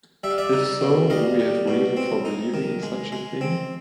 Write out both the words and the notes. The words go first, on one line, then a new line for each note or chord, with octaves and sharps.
If so, do we have reason for believing in such a thing?
G3 E5
F5
D5 E5
D#4
B2
G3 D#5 F5
G3
B2
C4
D#4
D#3
G#3
G#3
C4